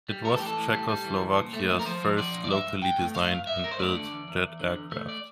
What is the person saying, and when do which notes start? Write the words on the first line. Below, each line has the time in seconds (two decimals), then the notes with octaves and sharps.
It was Czechoslovakia's first locally designed and built jet aircraft.
0.09 G3
0.24 A2 A#4
0.32 A4
0.39 E3 G4
0.46 A4
0.57 A2
0.73 G3
0.89 G3
1.05 E3
1.21 C2
1.37 A#2
1.53 A3
1.69 F3
1.79 A#4
1.86 F3 C5
2.02 F3
2.18 F3 D5
2.34 A#2
2.44 D5
2.50 G2 E5
2.66 G2
2.82 G2 G5
2.98 A3
3.15 G2 F5
3.31 G2
3.47 G2 E5
3.63 G2 A#4
3.71 C5
3.79 A3 D5
3.95 D3
4.12 E2
4.28 E2
4.43 E2
4.59 D3
4.76 E2
4.91 A3
5.09 D5